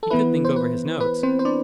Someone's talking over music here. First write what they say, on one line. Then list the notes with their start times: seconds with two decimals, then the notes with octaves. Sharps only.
He could think over his notes....
0.03 A4
0.10 E3 B3 E4 B4
0.45 C5
0.56 B4
1.00 B4
1.23 C4 C5
1.39 C5
1.45 D4 D5